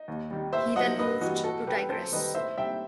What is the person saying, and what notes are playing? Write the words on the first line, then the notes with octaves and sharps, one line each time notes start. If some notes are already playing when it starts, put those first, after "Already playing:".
He then moved to Tigres.
Already playing: D#4
D#2
D#3 G3
A2 C5 E5
F#3 D#5 F#5
G2 B4 D#5
E3 G3 D#4 F#4
A2 F#4 A4
G3 G4 B4
F#2 A4 C5
D#3 G3 B4 D#5
A2 C5 E5
G3 E5 G5